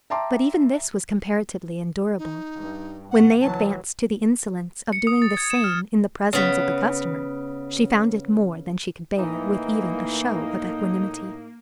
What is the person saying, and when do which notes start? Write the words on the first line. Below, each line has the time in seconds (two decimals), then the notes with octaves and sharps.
But even this was comparatively endurable: when they advanced to the insolence of doing the same in the presence of the customer, she found it more than she could bear with even a show of equanimity.
0.10 E5 G5 A5 A#5 C6 D6
2.18 D#4
2.56 G2
3.11 A#1 B2 F#5
3.41 C#2 E3 F#3 A5
4.93 C#7
5.07 D#6
5.22 A6
5.37 G#6
5.50 E7
5.64 F6
6.33 C#3 B3
9.18 A2 E3 A#3 D#4